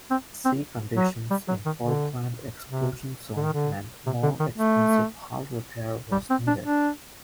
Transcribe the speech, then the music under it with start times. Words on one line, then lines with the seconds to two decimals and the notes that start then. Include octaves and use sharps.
Sea conditions in the Falkland exclusion zone meant more expensive hull repair was needed.
0.11 C4
0.45 C4
0.97 F#3
1.30 G3
1.48 F#3
1.66 D#3
1.82 D3
2.68 C3
3.37 D3
3.44 D#3
3.53 D3
4.06 C3
4.23 D3
4.40 D#3
4.58 A3
6.12 G3
6.30 C4
6.47 D4
6.63 D4